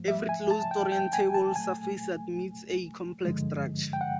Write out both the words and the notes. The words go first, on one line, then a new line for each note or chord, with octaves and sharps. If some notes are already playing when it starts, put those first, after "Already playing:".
Every closed orientable surface admits a complex structure.
Already playing: G#2 F3 A3
E5
G#5
A5
G5
G5
G#5
A5
A#2 F#3 A3 G#5
G2 D3 F3 G#3
G5
F#5